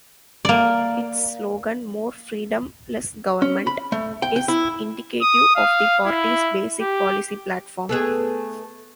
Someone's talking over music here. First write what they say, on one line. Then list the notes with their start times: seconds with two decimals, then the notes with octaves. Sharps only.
Its slogan, "More Freedom, Less Government", is indicative of the party's basic policy platform.
0.45 A#3 D5
3.42 C#4
3.67 B5
3.92 A3
4.22 G5
4.36 G5
4.48 E4
5.22 D#6
5.56 F5
6.06 E4
6.81 G4
7.89 A3 B3 G#4